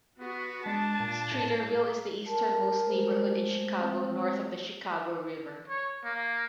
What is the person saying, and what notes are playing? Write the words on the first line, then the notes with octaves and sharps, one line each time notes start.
Streeterville is the easternmost neighborhood in Chicago north of the Chicago River.
B3 F#4
G#3 D4 A5
A#2
A2
A#4 A5
G#3 A3 C5
C4
C#5
A#3